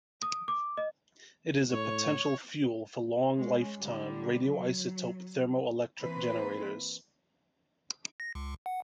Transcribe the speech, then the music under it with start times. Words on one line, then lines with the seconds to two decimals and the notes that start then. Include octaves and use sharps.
It is a potential fuel for long-lifetime radioisotope thermoelectric generators.
0.22 D#6
0.48 D6
0.77 D#5
1.72 A2 C#5
3.36 G#3 C#4
3.80 D3 G3
4.49 F#3
6.02 E3 A#3 C4 B4 C5
8.20 A#6
8.35 C#2
8.66 F#5